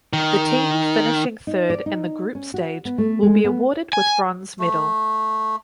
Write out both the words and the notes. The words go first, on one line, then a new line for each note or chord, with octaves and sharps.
The team finishing third in the Group Stage will be awarded with bronze medal.
D#3
D#4
D5
D#4
C#4
F#4
B3
A3
G#3
B3
G#5
A3